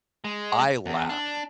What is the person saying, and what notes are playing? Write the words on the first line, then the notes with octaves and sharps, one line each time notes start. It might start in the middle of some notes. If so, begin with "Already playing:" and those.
I laugh,
G#3
E2
D4